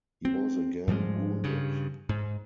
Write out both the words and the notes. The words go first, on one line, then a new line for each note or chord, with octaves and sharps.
He was again wounded.
C4
G#2 F3 G3 G#3
G2 C#3
G#2